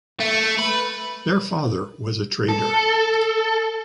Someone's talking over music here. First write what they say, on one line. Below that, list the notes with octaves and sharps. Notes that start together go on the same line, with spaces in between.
Their father was a trader.
A3
B4
A4